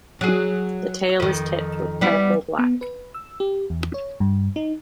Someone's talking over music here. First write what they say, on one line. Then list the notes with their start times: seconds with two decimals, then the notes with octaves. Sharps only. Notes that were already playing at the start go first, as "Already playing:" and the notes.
The tail is tipped with purple-black.
0.21 F#3 G#4
1.20 F2 D#3
2.01 G3 B3 E4
2.59 B3
2.81 B4
3.14 E6
3.40 G4
3.70 E2
3.94 C#5
4.20 G2
4.56 D#4